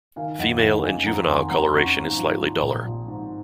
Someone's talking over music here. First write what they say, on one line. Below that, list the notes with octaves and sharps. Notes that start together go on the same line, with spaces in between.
Female and juvenile coloration is slightly duller.
D#3 F5 G#5
F2 D#5 F#5
D#3
C#4 F5 G#5
F2 F#5 A#5
D#3 G#5 C6
F2 F#5 A#5
C#4 A#5 C#6
G#2
F3
F3
A#1
F3
G#2